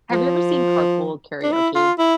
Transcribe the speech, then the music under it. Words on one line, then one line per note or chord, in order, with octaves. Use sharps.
Have you ever seen Carpool Karaoke
F3
D4
E4
F4
E4